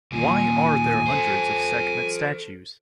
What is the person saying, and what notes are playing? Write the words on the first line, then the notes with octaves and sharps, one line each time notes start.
Why are there hundreds of Sekhmet statues?
D#2 A#2 G#5
A4 C5